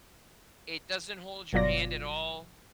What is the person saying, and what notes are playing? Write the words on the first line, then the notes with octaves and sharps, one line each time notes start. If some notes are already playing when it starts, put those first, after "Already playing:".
It doesn't hold your hand at all.
G1 B2 F#3 F4 D5 A#6